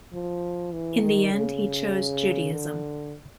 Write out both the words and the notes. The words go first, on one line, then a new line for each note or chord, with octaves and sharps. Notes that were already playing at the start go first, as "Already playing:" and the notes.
In the end, he chose Judaism.
F3
E3
D#3
C#3
D3